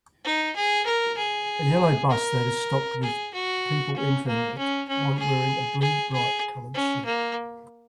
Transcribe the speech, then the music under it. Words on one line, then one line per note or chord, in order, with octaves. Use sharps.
A yellow bus that is stopped with people entering it one wearing a blue bright colored shirt.
D#4
G#4
A#4
G#4
A#4
G#4
F#4
C#4
A#3
C#4
C#4
G#4
G#4
G#4
C#4
A#3